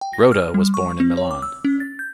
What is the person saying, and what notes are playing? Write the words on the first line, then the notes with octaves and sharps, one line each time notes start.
Rota was born in Milan.
G5
A#6
F6
G3
C#6
C4
C#5
D6
E6
C#4
A6
G6